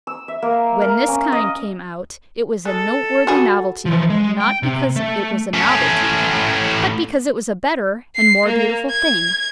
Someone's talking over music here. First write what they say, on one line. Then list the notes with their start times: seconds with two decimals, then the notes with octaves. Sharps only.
When this kind came out it was a noteworthy novelty, not because it was a novelty, but because it was a better and more beautiful thing.
0.07 E6
0.28 E5
0.42 A#3
0.81 A#4
1.08 C#4
1.32 D#5
2.65 G#3 A4
3.27 G3 F#4 G#4
3.86 E3 F3
4.10 G#3
4.41 G5
4.63 C3
4.96 A3
5.54 A2 C#4
8.15 C7
8.46 A#3
8.90 G#6